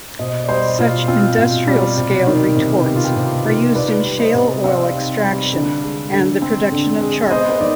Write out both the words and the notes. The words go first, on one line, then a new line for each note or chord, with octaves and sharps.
Such industrial-scale retorts are used in shale oil extraction and the production of charcoal.
B2 C5 D#5
D5
G3 C5 D#5
B2 F4
C4 F4
B2
G3
C3
D#3
C3
B3 G4
F4
G4
C3 G4
D#3 F4
D#4 B4 D5
G3
C5 D#5
C3
C4 D5 F5
D#4
G3
D3
G#3
D3
C4
D3
G#3
B3 C5 D#5
D#3 D5